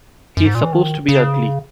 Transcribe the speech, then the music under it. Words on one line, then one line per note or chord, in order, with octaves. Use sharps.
He's supposed to be ugly.
F#2
G#2
A#2
E3
D#3
C#3